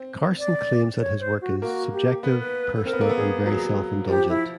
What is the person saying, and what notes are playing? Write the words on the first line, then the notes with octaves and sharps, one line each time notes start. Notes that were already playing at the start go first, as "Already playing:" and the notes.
Carson claims that his work is "subjective, personal and very self indulgent".
Already playing: C4
D5
C#5
C5
F#4
A#3 F#4
G4
B3 B4
A#4
B4
A4
C4 A#4
B3
A#3
A4
B3
G#4
F#3
F3 G4
E4